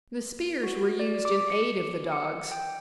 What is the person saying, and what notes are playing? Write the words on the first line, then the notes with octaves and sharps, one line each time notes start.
The spears were used in aid of the dogs.
F#4
D5
D6
C#7
C#7
G5